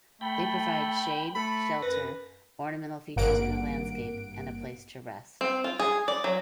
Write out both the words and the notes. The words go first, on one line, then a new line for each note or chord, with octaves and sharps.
They provide shade, shelter, ornamental features in a landscape, and a place to rest.
A3 G5 B5
A3 B5
F#2 B4 A#6
G#1 G2 A#3 F#5 D7
C4
F4
G#4
D5
F#3